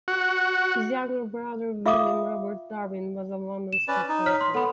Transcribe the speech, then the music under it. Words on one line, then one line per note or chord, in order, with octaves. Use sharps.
His younger brother William Robert Darwin was a London stockbroker.
F#4
F4 E5 F5 D6 D#6
E7
C#4 B4 D5
D#4
C#5 F6 B6
C6
B3 A4 B5